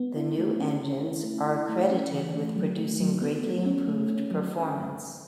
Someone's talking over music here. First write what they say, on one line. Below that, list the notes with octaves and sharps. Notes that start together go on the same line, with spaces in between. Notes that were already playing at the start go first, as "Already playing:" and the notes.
The new engines are accredited with producing greatly improved performance.
Already playing: B3
E4
A3
C#4
C#4
E4
A3
E4
A3
C#4
E3
A3
F#3
A3
F#3
B3
A3
C#4
A3
C#4
F#3